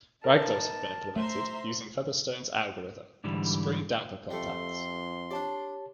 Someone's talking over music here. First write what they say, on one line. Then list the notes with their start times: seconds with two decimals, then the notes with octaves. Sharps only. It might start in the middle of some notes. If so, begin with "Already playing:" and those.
Ragdolls have been implemented using Featherstone's algorithm and spring-damper contacts.
0.24 B3 D#4 A#4 D#5 A5 D6
1.16 A3 C5 E5 A#5 C6
3.24 G#2 D3 E3 G3
4.31 F2 G3 A3 C6
5.31 D4 G4 C#5 D5 A5